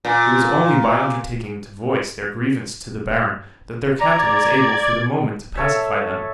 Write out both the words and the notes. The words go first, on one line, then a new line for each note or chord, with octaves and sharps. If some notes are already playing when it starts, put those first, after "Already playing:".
It was only by undertaking to voice their grievance to the Baron that their captain was able for the moment to pacify them.
A#2
D5 A#5 G#6
A4 C#5 E5